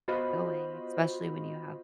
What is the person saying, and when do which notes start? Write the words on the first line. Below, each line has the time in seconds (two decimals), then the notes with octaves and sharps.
going, especially when you have
0.08 B3 F4 F#4 C5 D#5 B5